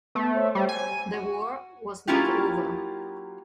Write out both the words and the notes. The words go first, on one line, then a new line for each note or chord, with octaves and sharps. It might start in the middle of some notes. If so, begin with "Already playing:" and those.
The war was not over.
A3 B3
C5 C#5
G3
G#5
F#4
F#3 A#3 C#4 E4 F4 G4